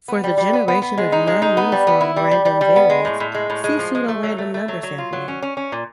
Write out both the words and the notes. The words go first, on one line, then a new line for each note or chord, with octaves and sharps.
For the generation of non-uniform random variates, see Pseudo-random number sampling.
B3
G3
G3
B3
B3
B3
G#3
D#4
G#3
D#4
B3
G3
B3
E4
G3
G3
G3
G3
B3
G#3
A2
A2
G#3
A2
G#3
F3
G#3
A3
F#3
A3
A3
F#3
F#3
F4
F#3
C#4
C#4
C#4
A#2